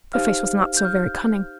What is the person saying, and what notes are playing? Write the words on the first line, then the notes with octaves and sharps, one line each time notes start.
The face was not so very cunning.
D#4 G4 C5 F5 F6
G6
F6